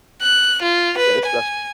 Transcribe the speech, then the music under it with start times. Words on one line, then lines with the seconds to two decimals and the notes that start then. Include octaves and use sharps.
Yeah, that's stress
0.22 F#6
0.62 F4
0.98 B4
1.26 G#5